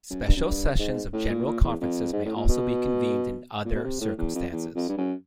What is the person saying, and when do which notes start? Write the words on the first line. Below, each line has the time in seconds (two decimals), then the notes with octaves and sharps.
Special sessions of General Conferences may also be convened in other circumstances.
0.10 F#2
0.27 G2
0.36 F#2
0.44 G2
0.78 G#2
1.13 A2
1.29 A#2
1.46 A#2
1.63 E2
1.81 F2
2.12 G#2
2.25 A2
2.36 A#2
2.49 B2
3.65 A#2
3.75 B2
3.84 C3
4.00 A2
4.18 E2
4.34 F2
4.52 E2
4.75 F2
4.89 G2
4.97 F#2